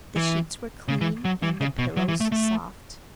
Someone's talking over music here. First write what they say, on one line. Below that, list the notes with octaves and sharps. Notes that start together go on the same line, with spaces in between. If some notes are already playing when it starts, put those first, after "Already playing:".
The sheets were clean and the pillows soft.
E3
C#3
E3
F#3
E3
C#3
B2
F#3
E3
A3
A3